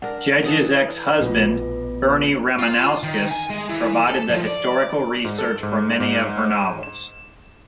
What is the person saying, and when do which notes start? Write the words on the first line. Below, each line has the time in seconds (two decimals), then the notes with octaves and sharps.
Gedge's ex-husband, Bernie Ramanauskas, provided the historical research for many of her novels.
0.02 D4 A#4 F#5
0.46 E3 A4 F#5 D#6
1.21 A#1 B2 A3 B3 F4 B4
2.59 F4
3.03 D#3
3.31 G#5
3.50 G#3
3.69 E3
4.08 A4
4.30 F3
4.46 D5
5.25 G#2
5.39 A4
5.63 G#2
6.00 G#2
6.83 E7